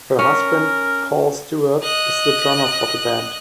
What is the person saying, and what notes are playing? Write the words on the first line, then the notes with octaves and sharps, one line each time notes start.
Her husband Paul Stewart is the drummer for the band.
C#4 A#4
D#5 F#6